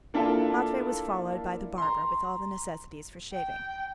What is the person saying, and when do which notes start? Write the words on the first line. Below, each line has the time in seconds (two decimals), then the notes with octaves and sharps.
Matvey was followed by the barber with all the necessaries for shaving.
0.14 A#3 D4 E4 F4 A4
1.78 A#5 C6
3.32 G5